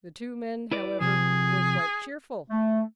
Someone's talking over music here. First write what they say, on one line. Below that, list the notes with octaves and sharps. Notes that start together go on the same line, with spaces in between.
The two men, however, were quite cheerful.
E4 B4 D5
C3 F3 G#4
A3